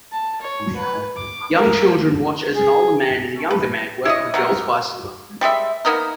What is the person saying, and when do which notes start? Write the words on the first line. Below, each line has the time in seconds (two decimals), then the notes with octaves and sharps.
Young children watch as an older man and a younger man work on a girls bicycle.
0.12 A5
0.41 C#5
0.76 B4
1.16 D6
1.57 A#4
2.55 G#4
3.51 B4
4.05 E4 C#5 D#5
4.34 F#3 A3 A#4
5.41 G3 G#3 G#4 E5
5.85 A#3 B3 D#4 A#4